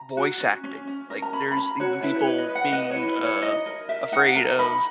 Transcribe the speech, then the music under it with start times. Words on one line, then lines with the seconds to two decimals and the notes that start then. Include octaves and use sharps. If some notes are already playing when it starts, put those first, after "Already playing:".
voice acting, like, there's even people being, uh, afraid of
Already playing: A#5
0.17 F#4
0.41 C#4
0.64 C#4
0.87 C#4
1.10 A#4
1.22 A#5
1.33 C#4 B5
1.52 B5
1.57 C#4 A#5
1.80 F#4 C#5
2.03 E4 B4
2.21 C#5
2.27 B4
2.38 D#5
2.49 B4
2.55 F#5
2.72 B4 D#5
2.90 C#5
2.96 E4
3.08 B4
3.19 E4
3.25 C#5
3.42 D#4 D#5
3.66 A#4 D#5
3.89 A#4 E5
4.12 D#4 F#5
4.35 A#4 A#5
4.59 D#4 B5